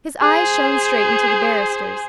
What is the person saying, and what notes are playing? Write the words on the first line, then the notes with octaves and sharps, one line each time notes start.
His eyes shone straight into the barrister's.
G#4 C5